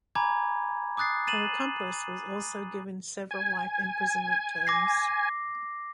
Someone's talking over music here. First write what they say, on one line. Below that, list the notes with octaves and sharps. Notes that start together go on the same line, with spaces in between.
Her accomplice was also given several life imprisonment terms.
G#5 A#5 B5 D6 G#6
D6 D#6 F#6 A6 C7
A6 D#7 E7 F#7
G#5
D6 A#6 C7